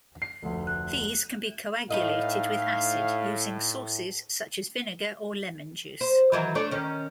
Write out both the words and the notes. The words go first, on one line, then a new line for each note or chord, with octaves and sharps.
These can be coagulated with acid using sources such as vinegar or lemon juice.
C7
F1 D2
F#6
A2 D#4 B4 D#5 F5
C5
D#3 E3 F#3
A3 D4 C#5
D#3 C#4